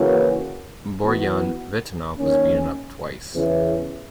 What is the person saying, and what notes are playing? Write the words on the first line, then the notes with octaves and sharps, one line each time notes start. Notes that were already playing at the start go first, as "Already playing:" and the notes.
Borjan Vitanov, was beaten up twice.
Already playing: C#3 E3 A#3 C#4 F#4
E3 B3 F#4
D#3 A#3 C#4
E2 C#3 E3